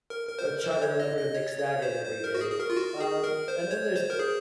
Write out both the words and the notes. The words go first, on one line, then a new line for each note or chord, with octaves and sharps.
I try to remember to mix that in every day. Um, and then there's the
A#4
A#4
C5
A#4
A#4
C5
C#5
D#5
D#5
C#5
C#5
C5
C5
A#4
F#4
G#4
G#4
A#4
F4
F#4
G#4
A#4
C5
C#5
C5
A#4
G#4